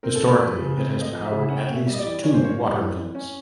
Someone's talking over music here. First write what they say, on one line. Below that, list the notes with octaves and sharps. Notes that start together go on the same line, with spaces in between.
Historically is has powered at least two watermills.
C4 A#4
A4
A3
A#4
F3 B4
C#3
C4 B4
A3
D#5
F3
E5
C#3
C#4 F#5
G5
A#3 F#5
E5
G3
D#5
D5
E3
C#4 C#5
C5
A#3 C#5
G3
E3
E3
C#4